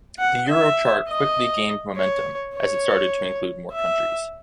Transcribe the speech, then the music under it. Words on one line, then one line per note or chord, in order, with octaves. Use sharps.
The Eurochart quickly gained momentum, as it started to include more countries.
F#5
E5
D#5
C#5
C#5
E5